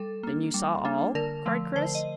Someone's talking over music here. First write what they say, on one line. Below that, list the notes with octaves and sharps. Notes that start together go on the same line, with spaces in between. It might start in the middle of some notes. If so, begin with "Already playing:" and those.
"Then you saw all?" cried Chris.
Already playing: G3 A4
A#3 D4
G3
A#3 D4
D3 A#4
F3 A3
D3 C5
D#5